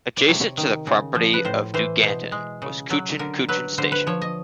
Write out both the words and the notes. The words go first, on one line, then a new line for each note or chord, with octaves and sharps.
Adjacent to the property of Dugandan was Coochin Coochin station.
D5
C3 C#5
D#3
C#3
F3
B4
A2 C5
E3 C5
B2 C5
G#3
C#3
F#3
D3 A#4
F#3 B4
D3 C5
B4
F3 C#5
D#5